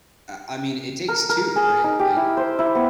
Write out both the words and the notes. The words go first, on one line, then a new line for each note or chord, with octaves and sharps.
I I mean, it takes two, right, like
A#4
A#4
G#4
D#4
G4
E4
C5
E4
B3